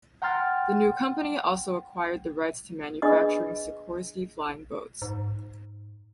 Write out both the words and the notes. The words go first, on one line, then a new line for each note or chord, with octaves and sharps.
The new company also acquired the rights to manufacturing Sikorsky flying boats.
F#5 G5 A#5 C6 F6 A6
D4 G#4 B4 D#5 B5 D#6
G#2